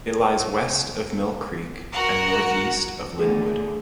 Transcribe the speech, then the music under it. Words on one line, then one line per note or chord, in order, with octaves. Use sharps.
It lies west of Mill Creek and northeast of Lynnwood.
F#4 A#4 F#5
A2 D3 F3 G#4